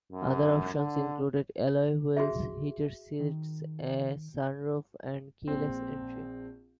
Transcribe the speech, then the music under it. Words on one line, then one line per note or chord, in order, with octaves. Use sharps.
Other options included alloy wheels, heated seats, a sunroof and keyless entry.
F#2
D3
F#4 G#4 E5
D#3
A#1 C4